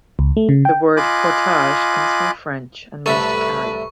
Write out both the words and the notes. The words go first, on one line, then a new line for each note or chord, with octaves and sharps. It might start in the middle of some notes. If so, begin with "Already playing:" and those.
The word "portage" comes from French and means "to carry".
C#2
A3
C#3
G5
F4 D#5 G#5 B5 D6 F#6
C2 A2 A4 B4 E5 C#6